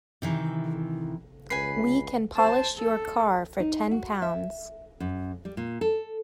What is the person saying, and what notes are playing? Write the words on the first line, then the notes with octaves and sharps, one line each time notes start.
We can polish your car for ten pounds.
C3 D#3 E3
C#2 B4 G#5 C7
C5 A5
A4
D#4
F#4
E5
F#2
G3
A#2
A4